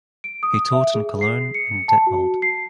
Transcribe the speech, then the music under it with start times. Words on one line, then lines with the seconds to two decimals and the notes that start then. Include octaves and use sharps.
He taught in Cologne and Detmold.
0.24 D7
0.43 D#6
0.73 E5
0.94 G#4
1.21 C7
1.54 C#7
1.88 A5
2.07 F#4
2.42 C7